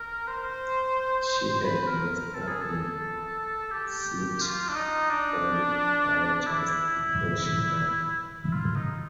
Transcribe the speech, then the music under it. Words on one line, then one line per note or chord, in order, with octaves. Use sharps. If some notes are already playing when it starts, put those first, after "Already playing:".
She had most of them set on fire just before she died.
Already playing: A#4
C5
B4
A#4
A#4
A4
G#4
A4
G4
F4
D4
D#4
D4
E4
E4
F4
D#4